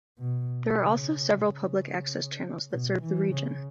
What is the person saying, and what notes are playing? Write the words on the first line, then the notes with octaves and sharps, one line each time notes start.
There are also several public access channels that serve the region.
B2
C#3
C#3
B2
E3
C#3